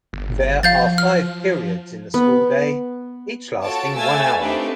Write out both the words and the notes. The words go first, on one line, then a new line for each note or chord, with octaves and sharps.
There are five periods in the school day, each lasting one hour.
G1
F3 F5 G6 A6
F6
B3
F4 F#4 A4 C#5 A5 D7
A3 F5 G#5 E6 G#6 A6
A3 C4 D4 D#4 G4 B4